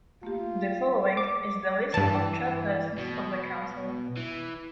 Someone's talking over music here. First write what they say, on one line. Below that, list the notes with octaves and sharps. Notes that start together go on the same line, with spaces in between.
The following is the list of Chairpersons of the Council.
A3 A#3 F4 G4
D6
G2 E3 A5
B2
E3